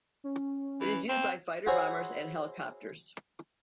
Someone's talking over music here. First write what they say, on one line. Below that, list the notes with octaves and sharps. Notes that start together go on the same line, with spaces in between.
It is used by fighter bombers and helicopters.
C#4
E3
C4
E4 F#4 G#4 C5 C#5 F#5